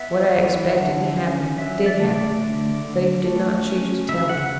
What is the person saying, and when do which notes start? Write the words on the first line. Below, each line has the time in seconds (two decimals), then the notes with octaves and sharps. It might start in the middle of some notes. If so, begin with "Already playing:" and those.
What I expected to happen did happen, though you did not choose to tell me.
Already playing: B3 E5
0.34 E3
0.69 E5
0.75 D3 F#5
1.17 C#4
1.58 F#3 E5
1.86 D5
2.00 A3
2.14 D5
2.42 D3
2.83 D3
3.25 A3
3.67 C#4
4.09 C#3 E5
4.29 F#5